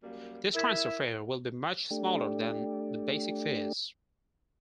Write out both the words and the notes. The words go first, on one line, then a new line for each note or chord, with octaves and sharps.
This transfer fare will be much smaller than the basic fares.
F#2 G3 A#3
E4 A#4 E5 G#6 B6
A3 D4 G4